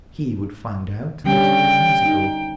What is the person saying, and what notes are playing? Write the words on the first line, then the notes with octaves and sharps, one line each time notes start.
He would find out that you are musical.
D3 G3 C#4 G5
D#4